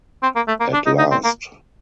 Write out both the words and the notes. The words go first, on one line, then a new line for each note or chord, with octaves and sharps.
At last!
C4
A#3
A3
A#3
D4
D#4
D#4
C4
A#3